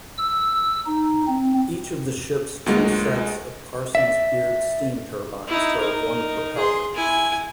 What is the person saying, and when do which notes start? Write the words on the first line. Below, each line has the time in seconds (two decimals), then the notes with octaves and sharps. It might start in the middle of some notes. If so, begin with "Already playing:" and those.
Each of the ship's two sets of Parsons geared steam turbines drove one propeller.
0.18 E6
0.86 D#4
1.28 C4
2.66 D2 F#3 G#3 A#3 F4
3.95 D5 E5
5.47 D#4 E4
5.80 D#4 A#4
6.56 G#4 C6
6.95 E4 G#5